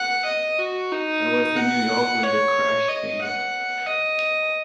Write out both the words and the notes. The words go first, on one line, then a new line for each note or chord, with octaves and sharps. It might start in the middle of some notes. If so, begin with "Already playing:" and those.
I was in New York when the crash came.
Already playing: F#5
D#5
F#4
D#4
F#5
C#5
D#5
F#5
D#5